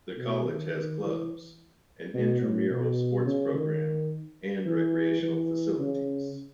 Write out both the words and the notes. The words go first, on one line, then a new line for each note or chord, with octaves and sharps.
The college has clubs, an intramural sports programme and recreational facilities.
B2
D#3
D#3
E3
B2
A2
B2
C#3
D#3
E3
E3
C#3